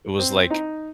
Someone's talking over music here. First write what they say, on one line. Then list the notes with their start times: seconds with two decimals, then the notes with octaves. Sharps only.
it was, like,
0.19 C4
0.50 D#4